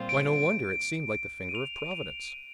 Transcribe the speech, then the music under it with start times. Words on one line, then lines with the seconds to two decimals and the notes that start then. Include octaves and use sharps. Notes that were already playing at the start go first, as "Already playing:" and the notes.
Why, no wonder; it seemed like the finger of Providence.
Already playing: A#2 G3 C4 F4 C5
0.09 D7
1.49 D#7
1.55 F7
1.91 F7
2.28 D#7